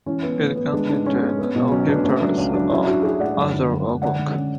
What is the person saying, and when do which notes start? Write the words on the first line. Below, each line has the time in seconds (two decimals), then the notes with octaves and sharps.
It contained no pictures or other artwork.
0.06 E3 C#4
0.23 B3
0.39 A2
0.56 B3
0.72 G#3 D4
0.89 G#2 D4
1.06 G#2 C#4
1.22 G#3
1.39 B3
1.56 B2
1.71 F#3 C#4
1.88 B3 D4
2.04 A3 C#4
2.21 F#3 D4
2.38 C#2 C#4
2.54 F#3 D4
2.70 F#3 C#4 E4
2.87 F#3 D4 F#4
3.03 F#3 E4 G#4
3.20 A2 D5 F#5
3.37 F#2
3.53 D3
3.70 F#2
3.86 D3
4.02 D3 D5 F#5
4.19 D3
4.35 C#4